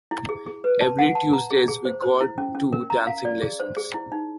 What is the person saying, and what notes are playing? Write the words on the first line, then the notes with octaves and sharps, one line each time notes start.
Every Tuesdays we go to dancing lessons.
E4
G#4
G#4
B4
A5
F#5
A5
A#5
G#4
G#4
C5
C5
E4
C#4
C#4
A#4
A#5
F5
D5
G#4
C5
G#4
E4
D#4